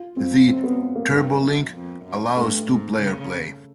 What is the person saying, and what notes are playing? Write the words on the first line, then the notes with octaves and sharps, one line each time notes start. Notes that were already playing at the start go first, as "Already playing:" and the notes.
The "TurboLink" allows two-player play.
Already playing: F4
F2 C4
F#2 C4
B3
A#3
G2
F#2
F2
F#2
G2 A3
G#2
C#3